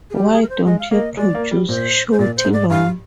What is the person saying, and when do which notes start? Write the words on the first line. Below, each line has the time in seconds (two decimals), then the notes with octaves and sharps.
Why don't you produce Shorty Long?
0.10 G#4
0.15 G3 G4
0.32 G#4
0.42 A#4
0.49 C5
0.66 G#3 D#5
0.79 F5
0.91 A#3 D#5
1.17 G#3 D5
1.35 A#3
1.51 G3
1.68 A#2 C5
2.12 C5
2.19 A#2 D5
2.37 C5
2.45 G#2
2.53 D5
2.70 G2 F5